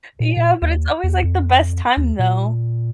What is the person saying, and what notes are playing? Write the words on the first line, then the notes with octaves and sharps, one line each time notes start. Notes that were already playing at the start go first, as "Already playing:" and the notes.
Yeah, but it's always, like, the best time though.
A#2
A#2
D#2
E2
F2
D#2
A#2